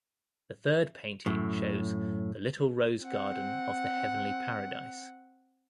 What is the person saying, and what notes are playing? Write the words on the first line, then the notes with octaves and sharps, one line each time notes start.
The third painting shows "The Little Rose Garden of the Heavenly Paradise".
F#2 A2
C4 F#5